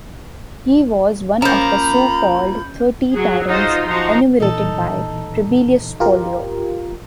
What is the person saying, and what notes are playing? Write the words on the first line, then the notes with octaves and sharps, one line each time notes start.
He was one of the so-called Thirty Tyrants enumerated by Trebellius Pollio.
F3 A#3 C#4 A#5 B5 G6
F#3 G#4
D#4 F4 F#4 C5 D#5
F3 D#4 F#4 A#5 C6
A#2 E3 D#4 A4
F4 G4 A#4